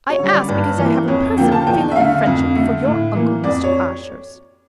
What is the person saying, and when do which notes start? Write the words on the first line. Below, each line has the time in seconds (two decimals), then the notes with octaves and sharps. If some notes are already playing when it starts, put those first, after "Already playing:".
'I asked because I have a personal feeling of friendship for your uncle, Mr. Ashurst.'
0.10 C#5
0.19 D3 G3
0.29 D5
0.48 G2
0.78 E3 A#3
1.08 F2 C#5
1.37 D3 F3 A#3 G5
1.52 A5
1.67 E2 G5
1.91 E5
1.96 D3 A3 F5
2.26 F2
2.56 D3 A3
2.85 A2
3.15 E3 A#3
3.43 F2 D5
3.64 C#5